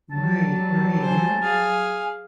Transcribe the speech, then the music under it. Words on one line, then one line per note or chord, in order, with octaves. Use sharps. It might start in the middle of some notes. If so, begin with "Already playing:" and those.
Right, right, yep,
F#3 G3 A5
C5 G#5
G#4 F5